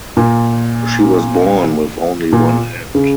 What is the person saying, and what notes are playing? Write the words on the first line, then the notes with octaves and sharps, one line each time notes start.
She was born with only one hand.
A#2
A#2
C#3